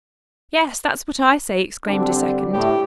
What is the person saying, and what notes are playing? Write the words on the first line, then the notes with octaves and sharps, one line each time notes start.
"Yes, that's what I say!" exclaimed a second.
D3 G3 C4 D4
A2 G4